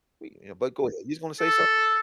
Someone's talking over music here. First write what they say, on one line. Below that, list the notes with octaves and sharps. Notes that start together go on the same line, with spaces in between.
We you know but go ahead, you was gonna say something?
A4